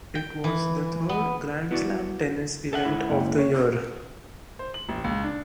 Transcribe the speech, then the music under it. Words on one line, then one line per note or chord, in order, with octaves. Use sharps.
It was the third Grand Slam tennis event of the year.
G5
E3
B3
B3 E4 F#4 D5
A4 E5 F#5
G#2 E4 F#5
F#1 G5
C#5
C5
F#7
A1
C#2
D4